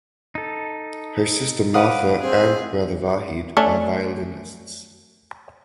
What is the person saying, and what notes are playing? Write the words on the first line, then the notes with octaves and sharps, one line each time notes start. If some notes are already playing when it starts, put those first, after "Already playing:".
Her sister Martha and brother Vahid are violinists.
D#4 A4
B4 F5 F#5 D6 D#6
C4 G#4
A3 C#4 D4